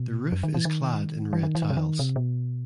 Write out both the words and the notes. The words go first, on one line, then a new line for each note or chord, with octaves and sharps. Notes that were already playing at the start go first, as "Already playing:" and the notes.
The roof is clad in red tiles.
Already playing: B2
F#2
D#3
E3
D#3
E3
D#3
E3
D#3
C3
D#3
C3
B2